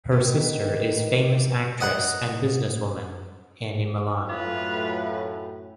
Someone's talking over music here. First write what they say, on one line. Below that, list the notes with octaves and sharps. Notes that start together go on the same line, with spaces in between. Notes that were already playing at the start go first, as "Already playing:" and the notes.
Her sister is famous actress and business woman, Annie Malan.
D#3 B3 G4
D#5 F#5 A#5
F#2 A2 F4 B4